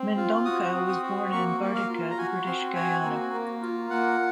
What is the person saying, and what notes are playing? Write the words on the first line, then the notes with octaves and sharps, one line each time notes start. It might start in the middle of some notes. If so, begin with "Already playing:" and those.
Mendonca was born in Bartica, British Guiana.
Already playing: C4
F4
F#4 D#6
C4
D#6
F#4
A#3 C#6
A#3
F5
F4
A#5
F#4 G#5
C4 C6
F#4 G#5
A#3
A#3
F4
A#3 F#5